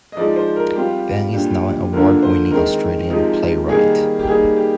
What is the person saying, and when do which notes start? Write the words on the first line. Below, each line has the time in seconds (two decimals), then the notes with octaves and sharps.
Van is now an award-winning Australian playwright.
0.12 D#5
0.17 F3 G#3 D#4 D5
0.36 C5
0.56 A#4
0.75 G3 C4 F4 G4
1.34 A#2 G3 D4 G4
1.93 D3 F3 A#3 D4 A#4
2.22 C5
2.51 D#3 G#3 C4 A#4
3.10 C3 F3 G#3 D#4
3.69 D#3 G3 A#3 G#4
4.19 G4
4.27 G3 A#3 D#4 G#4
4.56 G4